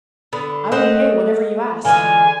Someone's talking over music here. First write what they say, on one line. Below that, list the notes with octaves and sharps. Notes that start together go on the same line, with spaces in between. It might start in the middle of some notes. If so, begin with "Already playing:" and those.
"I will pay whatever you ask."
D3 B3
A3 A#3 C5 D#5 F#5
D3 E3 G#3 F4 G#5